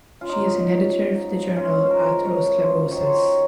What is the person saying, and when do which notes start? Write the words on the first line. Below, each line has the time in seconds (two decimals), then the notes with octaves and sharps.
She is an editor for the journal Atherosclerosis.
0.21 C#4 F4
0.29 D#4
0.43 G#2 D#4
0.66 F#3
0.89 F3
1.11 D#4
1.34 F3
1.56 C#4 F4
1.79 G#3
1.86 A#4 C5
2.01 G#3
2.25 F#2 C#5
2.47 F3
2.58 C5
2.69 F#2
2.91 D#3 C#5
3.01 C5
3.09 D#3 C#5